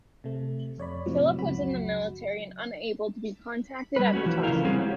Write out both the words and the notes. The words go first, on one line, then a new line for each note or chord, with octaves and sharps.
Philipp was in the military and unable to be contacted at the time.
C3 A3
F2 C#5 D5 B5
A2 C3 F3 F#3
C#2 F#2 F#3 F#4 B5
G3 B4
A3 C#4 F#4
E3 F3
C#3 F3 A3 E4 F4 A#4
G3 C4 C#4 F#4 G#4 F5
G#3 C4 G4 C#5